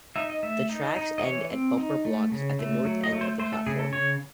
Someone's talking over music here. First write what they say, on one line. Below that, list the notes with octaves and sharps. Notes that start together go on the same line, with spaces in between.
The tracks end at bumper blocks at the north end of the platform.
D#4 E5
D#5
A3 E5
D#4
D#4
D#5
E3 C#5
C4
D#4
A3
C#3
A3
F#3
D#5
A3
C5
A3 C5
A4
C#3 G#4
A4
C#3 C#5